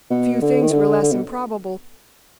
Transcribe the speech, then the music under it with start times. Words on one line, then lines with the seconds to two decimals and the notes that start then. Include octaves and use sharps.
Few things were less improbable.
0.10 B2
0.42 D3
0.62 D#3
0.72 D3
1.02 D3
1.12 B2